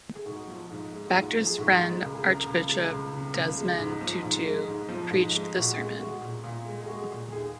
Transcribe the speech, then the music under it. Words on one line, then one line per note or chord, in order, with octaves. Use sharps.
Baxter's friend Archbishop Desmond Tutu preached the sermon.
G#4
G#2 F#4
F3
G#2
G#3
F#4
G#2 F4
F3
G#4
G#2 F#4
G#3
C#2 A#4
G#4
C#3 A#4
C#2
G#3
C#2
C#3
C#2
G#3
G#2
F3
G#2
G#3
G#2
F3
G#2
G#3
A#2 F#4
G#3
G#3 F#4
A#2
A#2 F4
G#3
G#4
G#3 F#4
A#2
D#2 G#4